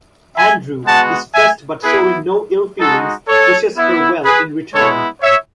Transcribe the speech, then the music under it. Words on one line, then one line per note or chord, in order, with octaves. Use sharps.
Andrew, distressed but showing no ill-feelings, wishes her well in return.
E5 G#5
G#3 B3 F#4 F#5 A5
E5 G#5
B3 E4 G#4 B4
G#3 D#4 F#4 A4
A4 C#5
B3 E4
G#4 B4
G#3 B3 E4 A4 C#5
C#5 E5